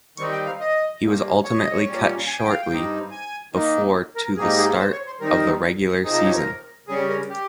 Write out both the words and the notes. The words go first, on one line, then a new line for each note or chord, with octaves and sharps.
He was ultimately cut shortly before to the start of the regular season.
D#3 G3 C4 D#4 C#6
G5
F5
D#5
G2 G3 A#3
C#5
D#5
C#5
A#2 G3 C#4
G#5
G5
F5
G5
G2 G3 C4 D#4
G#5
D#3 A#3 D#4
A#4
G#2 G3 A#3 D#4 G#4
G#4
C5
C#5
C5
D#3 G3 C4 D#4 A#4
C3 F3 C4 D#4 G#4
A#4
C#5
A#4
C#3 G3 C#4 G#4
A#4
G4